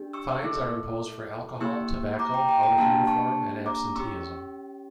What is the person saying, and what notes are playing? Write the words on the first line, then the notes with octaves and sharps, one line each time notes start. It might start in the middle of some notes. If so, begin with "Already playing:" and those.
Fines are imposed for alcohol, tobacco, out-of-uniform, and absenteeism.
Already playing: D4 G4
C#6 E6
C#6 E6
A3 E4 A4
A#3 E4 G4 C#6 E6
A#5 D6
G5 A#5
G5 A#5
G5 A#5
A#3 D4 G4 F5 A5
A5 C#6
A#5 D6
C#4 G4 C#6 E6